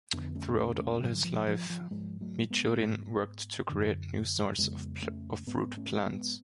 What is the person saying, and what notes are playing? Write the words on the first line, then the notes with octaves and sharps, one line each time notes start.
Throughout all his life, Michurin worked to create new sorts of fruit plants.
F2 D3 B3 D4
A3 C#4
A3 C#4
A3 C#4
G#2 D3 F#3
F3
F3
F3
G#2 F3 G#3
F#3 A3
G#3 B3
G#2
F#2 D3
F2 C#3 G#3 B3
A3 C#4
G#2 G#3 B3
A3 C#4
G#3 B3